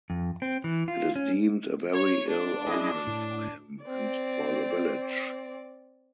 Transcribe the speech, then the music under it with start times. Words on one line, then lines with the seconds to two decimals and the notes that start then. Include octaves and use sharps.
It is deemed a very ill omen for him and for the village.
0.10 F2
0.42 C4
0.64 E3
0.88 F4
1.16 C#4
1.91 C#5
2.27 D4
2.67 E4 G#4 D#5
3.07 A2
3.84 C4 D5